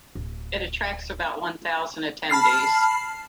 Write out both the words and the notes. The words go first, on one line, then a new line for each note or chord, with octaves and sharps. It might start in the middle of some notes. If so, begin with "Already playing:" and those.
It attracts about one thousand attendees.
D1
A5 B5 F6 C7